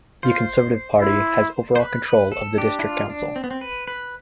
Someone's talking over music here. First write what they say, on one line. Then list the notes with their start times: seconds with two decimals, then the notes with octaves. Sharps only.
The Conservative Party has overall control of the district council.
0.23 F4 C5
1.01 E4
1.76 C5
1.80 B4
2.05 B4
2.32 A4
2.57 D4 G4
2.79 E4
2.84 F4
3.10 D4
3.36 C4
3.44 B3
3.51 C4
3.61 B4
3.88 B4